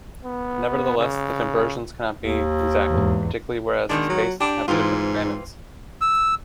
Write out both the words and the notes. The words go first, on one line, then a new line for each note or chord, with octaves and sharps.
Nevertheless, the conversions cannot be exact, particularly where these spaces have different gamuts.
B3
C#3
D#2
E2 G#2
B2 D#3 G#3 D4
F#3
D4 G4
G#2 E3 C4 F4
E6